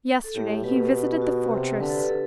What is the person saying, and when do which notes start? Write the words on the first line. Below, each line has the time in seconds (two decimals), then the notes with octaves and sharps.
Yesterday he visited the fortress.
0.24 A4
0.35 A2 G4
0.64 B2 B4
1.22 F#4
1.51 C3 G4
1.80 D3 B4
1.90 A4
1.99 B4
2.09 A4